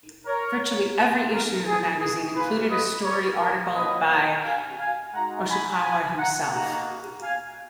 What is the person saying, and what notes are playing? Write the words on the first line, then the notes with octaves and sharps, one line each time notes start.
Virtually every issue of the magazine included a story or article by Oshikawa himself.
A#4 C#5
A#3 F4
A#4
G#4
G#4
A#3 F4 G#4 B4
B4 D#5
A#4 C#5
A#4
A#3 C#4 F#4 B4 D#5
F5 G#5
F5 G#5
G#3 D#4 F#4 F#5 A#5
G#5 B5
G#5 B5
F#5 A#5
A#3 D#4 F#4 F#5 A#5
F5 G#5